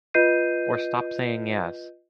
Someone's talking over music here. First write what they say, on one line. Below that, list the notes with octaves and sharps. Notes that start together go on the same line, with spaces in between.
Or stop saying yes.
F4 B4 D#5 G6 C7 D#7